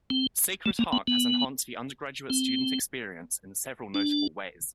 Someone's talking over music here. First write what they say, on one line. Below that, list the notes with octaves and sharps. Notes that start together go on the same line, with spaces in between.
Sacred Heart has enhanced the undergraduate student experience in several notable ways.
C4
A3
A#3
B3
B3
C4
D4